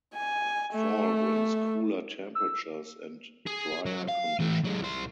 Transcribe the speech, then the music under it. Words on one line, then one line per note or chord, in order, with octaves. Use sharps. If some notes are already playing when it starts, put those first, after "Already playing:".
Fall brings cooler temperatures and dryer conditions.
G#5
A3
E6
G#4
F#3
F5
E3 A3
F#3 G#3
C2 C5